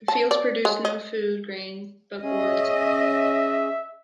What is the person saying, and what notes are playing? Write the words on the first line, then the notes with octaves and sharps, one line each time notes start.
The fields produced no food grains, but gourds.
A5
D5
G#3
D#5
C#4 G#4 D#5 E5